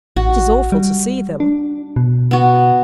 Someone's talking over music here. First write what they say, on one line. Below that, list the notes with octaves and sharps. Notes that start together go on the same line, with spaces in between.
It is awful to see them.'
A1 F#4
G3
D4
B2
B3 F#4